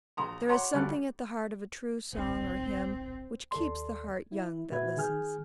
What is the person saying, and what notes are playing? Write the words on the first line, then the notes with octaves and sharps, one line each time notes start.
There is something at the heart of a true song or hymn which keeps the heart young that listens.
A#1 A#5 C6
C#5 F#5 A#5 C6 D6
G1 D2 G3 A4 D5 F#6
D1 A#1 C4
D#2 A4 D5 C6
E4
A#2 F#4 B4 E5 G#6
D#3 G#4 G#5 F6 G6